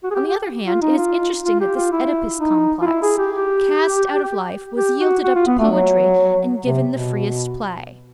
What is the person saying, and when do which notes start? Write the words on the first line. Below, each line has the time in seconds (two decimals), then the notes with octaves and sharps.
On the other hand, it is interesting that this Oedipus-complex, cast out of life, was yielded up to poetry and given the freest play.
0.04 F#4
0.11 G#4
0.14 G4
0.27 G4
0.66 F4
0.82 D#4
0.97 F4
1.45 F4
1.60 G4
1.76 F4
1.92 E4
2.40 D#4
2.82 F4
2.86 E4
3.03 G#4
3.18 G4
3.34 G4
4.76 G4
5.00 F#4
5.24 F#4
5.35 F4
5.47 B3
5.59 A3
5.71 F#3
6.65 C3
6.89 B2